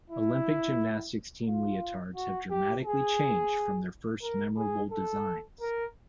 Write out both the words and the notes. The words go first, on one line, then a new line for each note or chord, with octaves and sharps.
Olympic gymnastics team leotards have dramatically changed from their first memorable designs.
E4
F4
F#4
G4
G#4
A#4
G#4
A4
A#4